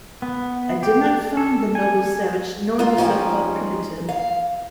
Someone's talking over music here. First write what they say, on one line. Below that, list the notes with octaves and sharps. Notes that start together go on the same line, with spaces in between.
I did not find the 'noble savage' nor the so-called 'primitive'.
B3
G4
A4
G#5
A#3 F4
F3 C#4 D#4 G4
F5